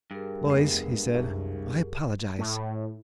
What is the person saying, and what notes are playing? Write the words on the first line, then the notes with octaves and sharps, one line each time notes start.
"Boys," he said, "I apologize."
G2 G4 G#4 A#4
F1 G#3 B3 C7
C2 F#2
A2